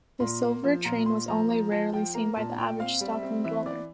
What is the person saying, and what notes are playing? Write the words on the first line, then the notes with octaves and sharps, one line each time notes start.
The silver train was only rarely seen by the average Stockholm dweller.
A#2 C6
A#3
F3
A#2 A#5
A#2 C6
F3 A#5
F3 A#5
F3 A5
F3 G5
A#3 A#5
A#2 A5
A#2 G5
C4 F5
G3
E5
C4
E3 E5
E3 D5